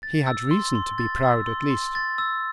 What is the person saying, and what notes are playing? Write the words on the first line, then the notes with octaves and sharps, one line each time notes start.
He had reason to be proud, at least.
A6
E6
C6
C6
A6
E6
C6
C6
A6
E6